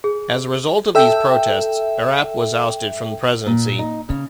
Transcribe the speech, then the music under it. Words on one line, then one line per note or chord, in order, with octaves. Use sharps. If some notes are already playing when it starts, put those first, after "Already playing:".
As a result of these protests, Erap was ousted from the presidency.
G#4
A4 E5 G5
A#2
D#4
C#3